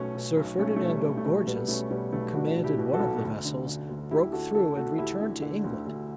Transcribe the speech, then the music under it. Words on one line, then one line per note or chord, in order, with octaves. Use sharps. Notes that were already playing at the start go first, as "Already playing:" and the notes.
Sir Ferdinando Gorges, who commanded one of the vessels, broke through and returned to England.
Already playing: B1 B2 A3 C#4
B2
B1
B1 A3 C#4
B2 A3
G3
B2
A3
B1
B1 G3 B3
B2 A3 C#4
B2 G3 B3
B1 A3
B1 D4 F#4
B2
E4 G4
B2
F#4 A4
B1
D2
D3
D3
D2
D2 E4 G4
D3 F#4 A4
D3 F#4 A4
D2 F#4 A4
D2 E4 G4
D3
D3
D2
D2